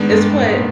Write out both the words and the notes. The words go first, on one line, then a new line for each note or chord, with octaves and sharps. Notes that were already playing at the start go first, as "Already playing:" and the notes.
it's what
Already playing: G#2 D#3 G#3 B3 D4
G2
A2
G#2
A#2